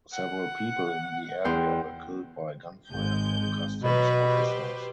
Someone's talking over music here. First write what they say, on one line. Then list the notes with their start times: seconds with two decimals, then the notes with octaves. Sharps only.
Several people in the area were killed by gunfire from customs officers.
0.12 F#5
1.45 E2 G5 C6
2.91 G#1 G#3 G6
3.83 B2 F#3 B4
4.26 G4 B4 C5